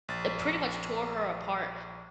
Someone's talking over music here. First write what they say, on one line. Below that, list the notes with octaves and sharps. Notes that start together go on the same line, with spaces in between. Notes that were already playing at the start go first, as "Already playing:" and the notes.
it pretty much tore her apart.
A#1 A6